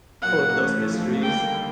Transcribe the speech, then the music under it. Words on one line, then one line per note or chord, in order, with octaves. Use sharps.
all those mysteries.
A#2 F#3 A#3 F#5
E3 A3 C#4
G#2 F3 A3
D#2 D3 G3 A#3 G5